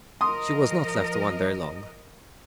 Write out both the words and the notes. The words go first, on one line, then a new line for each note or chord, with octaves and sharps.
She was not left to wonder long.
F3 A#4 D#5 C6 D#6